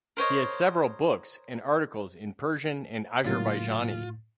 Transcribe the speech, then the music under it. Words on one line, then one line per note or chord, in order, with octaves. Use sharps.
He has several books and articles in Persian and Azerbaijani.
A#4 C5 C#5 D#5
A2 C#3 F#3 A#3 F4 A6